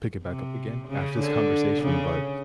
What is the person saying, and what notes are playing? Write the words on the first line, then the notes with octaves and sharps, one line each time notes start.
pick it back up again after this conversation, but
C3
C#3
D3
C#3